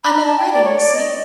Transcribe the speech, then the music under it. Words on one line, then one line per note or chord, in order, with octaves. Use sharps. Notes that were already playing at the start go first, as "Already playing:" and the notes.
I'm all ready, you see.
B5
A#5
A5
G5
D5
C#5
D5
D#5